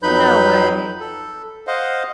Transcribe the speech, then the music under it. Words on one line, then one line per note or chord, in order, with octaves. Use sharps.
No way.
F2 F#3 D#4 B4 B5 G6
A4
C5 D#5 F5 F#5